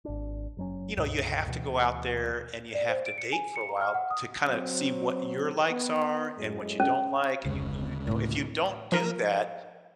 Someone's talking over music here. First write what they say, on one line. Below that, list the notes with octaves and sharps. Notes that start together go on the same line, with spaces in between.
you know, you have to go out there and you have to date for a while to kinda see what your likes are and what you don't like, and you you you know, if you don't do that,
G#1 D4
F#1 F#3 C#4
C#2 G2 B2
D2 B2 E3
D5
C5
D7
C#7
G#5
C#7
A#5
F6
F#5
D#6
F#3 C4
B3
F#2 A2 G#3
C#4
F1 D2 C#3 G#3
A2 C4
F3 A#4